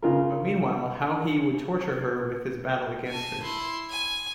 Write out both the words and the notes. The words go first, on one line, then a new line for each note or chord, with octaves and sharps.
But meanwhile, how he would torture her with his battle against her.
C#3 F4 A#4
G#5 A5
E4 C6
G#5